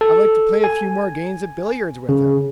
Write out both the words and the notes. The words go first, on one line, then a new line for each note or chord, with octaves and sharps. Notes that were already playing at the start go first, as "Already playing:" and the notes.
I'd like to play a few more games at billiards with him.
A4
G#5
C#3